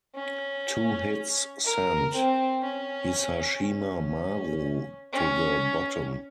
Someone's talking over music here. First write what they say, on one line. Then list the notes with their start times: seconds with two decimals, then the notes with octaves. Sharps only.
Two hits sent "Hisashima Maru" to the bottom.
0.16 C#4
1.64 A#4
2.14 C4
2.64 C#4
3.63 C#4
5.13 C#4